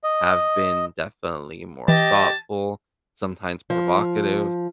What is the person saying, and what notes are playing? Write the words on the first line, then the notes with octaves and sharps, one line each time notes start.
have been definitely more thoughtful, sometimes provocative,
D#5
E3 G4 D#5 A5
F3